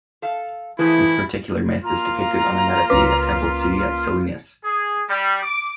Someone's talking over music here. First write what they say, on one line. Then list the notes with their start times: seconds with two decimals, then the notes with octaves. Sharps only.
This particular myth is depicted on a metope at Temple C at Selinus.
0.22 A4 F5
0.79 E3 F3 A3 E4 G#4
1.84 A#3 F4 A#5
2.90 C#2 C#4 B4 D6 B6
4.64 G#4
5.08 G3
5.42 D6